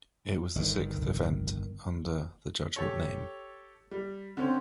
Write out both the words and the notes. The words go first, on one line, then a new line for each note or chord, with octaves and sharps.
It was the sixth event under the Judgement name.
G1 D#3
C2 F2
G4 A4 C#5
G3
D3 C4 C#4